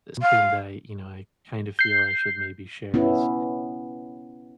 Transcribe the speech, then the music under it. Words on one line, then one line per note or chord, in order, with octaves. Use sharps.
something that I you know, I kinda feel I should maybe share is
F5
G6 C7
B3 C#4 E4